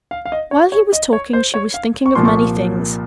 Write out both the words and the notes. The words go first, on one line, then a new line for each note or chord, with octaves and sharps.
While he was talking, she was thinking of many things.
F5
F5
D#5
C#5
C#5
D#5
C#5
C5
C#5
F5
C#6
C2 A#2 F3 C6
C#6